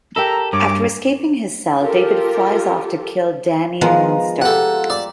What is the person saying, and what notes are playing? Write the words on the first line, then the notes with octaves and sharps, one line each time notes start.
After escaping his cell, David flies off to kill Dani Moonstar.
G4 A4 A#4 E5 A#5
G2 C#5 D6
F4 G4 A4 A#4
F3 G#3 B3 F4 A#4
G4 A4 F#5
D5 E6